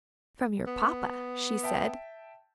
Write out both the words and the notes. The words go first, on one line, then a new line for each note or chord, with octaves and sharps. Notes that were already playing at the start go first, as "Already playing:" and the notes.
"From your papa," she said.
B3
E5 G5 A5